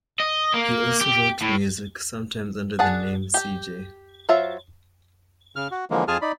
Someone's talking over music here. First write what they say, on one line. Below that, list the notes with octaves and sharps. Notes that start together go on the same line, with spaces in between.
He also wrote music, sometimes under the name C. J.
D#5
A#3
G4
A2
D4 G#4 F#5 A5
G4 G5
F#3 F4 C5 E5
C#3 F6
F#4
D3 E3 F3 G#3 A#3
F2 F4 G#4 G#5 A5 F6
D#4 D5 B5